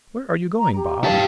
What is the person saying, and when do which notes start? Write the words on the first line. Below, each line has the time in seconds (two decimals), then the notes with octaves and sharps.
"Where are you going, Bob?"
0.59 A#5
0.75 G4
1.04 G4 F5 A5